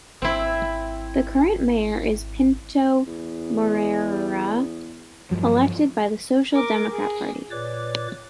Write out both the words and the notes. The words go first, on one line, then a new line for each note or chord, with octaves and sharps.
The current Mayor is Pinto Moreira, elected by the Social Democrat Party.
G#1 C4 E4
E2
G2 F3 F#3
A#4 D6
G#4
A#2 B4 C#5 D5 D6